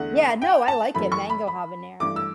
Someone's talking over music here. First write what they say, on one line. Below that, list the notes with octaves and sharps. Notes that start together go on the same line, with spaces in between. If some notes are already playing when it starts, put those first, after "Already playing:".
Yeah, no, I like it, Mango Habanero.
Already playing: E2 D3 A3 F#5
G5
A5
F#2 E3 A3 B5
C#6
B5
B5
G2 E3 A3 D6
E6